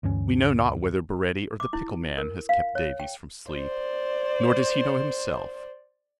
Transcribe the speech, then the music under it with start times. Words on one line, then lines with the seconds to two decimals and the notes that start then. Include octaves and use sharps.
We know not whether Baretti or the pickle-man has kept Davies from sleep; nor does he know himself.
0.03 D2 G2 E3 C#4
1.60 D6
1.73 E4
2.18 A#4
2.49 F5
2.75 C#5
3.00 G5
3.52 C5 D5